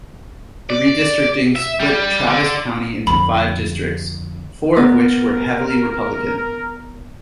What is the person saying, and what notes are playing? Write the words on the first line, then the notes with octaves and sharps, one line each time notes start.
The redistricting split Travis County into five districts, four of which were heavily Republican.
D5
E5
G3
D3
F2 D3 B5
B3 A#4